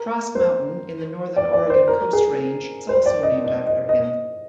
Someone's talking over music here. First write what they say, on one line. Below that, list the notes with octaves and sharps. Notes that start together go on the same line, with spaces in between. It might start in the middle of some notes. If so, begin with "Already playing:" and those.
Trask Mountain in the Northern Oregon Coast Range is also named after him.
Already playing: A#4
C5
D5
D5
C5
A#4
G#4
C5
D5
D#5
D#5
D#5
D#5